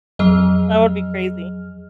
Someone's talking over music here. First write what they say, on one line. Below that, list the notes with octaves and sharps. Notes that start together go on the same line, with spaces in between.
That would be crazy.
F2 F#3 G#4 D#5 F6